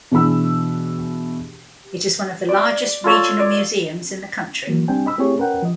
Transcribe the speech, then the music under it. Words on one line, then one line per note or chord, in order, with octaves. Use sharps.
It is one of the largest regional museums in the country.
B2 E3 D4 G#4 B5 E6
D5
F4 A4 C#5
D5
E3 F#3 A#3
C2 G3 C4 D4 G5 G#5
D#5 B5 E6
A3 C4 E4 G4 G#4 C#5
C#4 A#4 B4 F#5 G5
F3 D#5